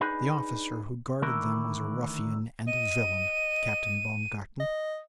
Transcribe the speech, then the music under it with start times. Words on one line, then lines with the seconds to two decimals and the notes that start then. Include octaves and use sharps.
The officer who guarded them was a ruffian and a villain, Captain Baumgarten.
0.01 D4 D#4 G#4 B4
1.22 D3 D#3 A3 E4 A#4
2.68 D#5 D#7
4.60 D#5